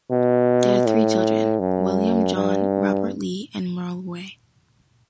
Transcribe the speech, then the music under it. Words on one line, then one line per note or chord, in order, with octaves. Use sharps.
They had three children, William John, Robert Lee, and Merle Ray.
B2
A2
F#2
G2